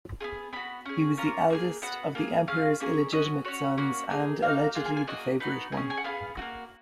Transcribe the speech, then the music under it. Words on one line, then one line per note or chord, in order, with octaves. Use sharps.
He was the eldest of the emperor's illegitimate sons and allegedly the favourite one.
B3 F4 G#4
B3 F#4 B5
C#4 G#4
A#3 C#4 F4 A#5
A#3 D#4 G#4
B3 F#4 F#5
A#3 F4 G#4
C#4 F4 G#4 F5
A#3 C#4 G#4
C#4 F#4 D#5
C#4 F#4 C#5
A#3 C#4 F#4
A#3 D#4 G#4
A#3 D#4 F#4 F5
A#3 F4 G#4 F#5
G#5
G#5
A#3 C#4 F#4 D#5
B3 D#4 F#4
C#4 F4 G#4 D#5
G#5
F#5
B3 F4 G#4 F5
A#3 D#4 F#4